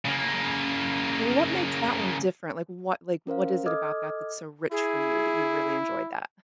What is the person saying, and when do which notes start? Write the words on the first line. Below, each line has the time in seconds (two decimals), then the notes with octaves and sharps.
Well, what makes that one different? Like, what like, what is it about that that's so rich for you that you really enjoyed that?
0.05 C#3 A#3
3.27 C#4 A#4 C5 F5
3.66 A4 D#5 D6 D#6 F6 G#6
4.72 E4 G#4